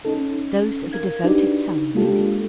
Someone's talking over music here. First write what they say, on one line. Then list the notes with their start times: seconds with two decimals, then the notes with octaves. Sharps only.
'Those of a devoted son, Wendy.'
0.05 C#4 D#4 A4
0.93 A#4 F5 G#6
1.24 D4 D#4 F#4 G4 B4 D5
1.95 G#3 A#3 D4 F4 G4 A4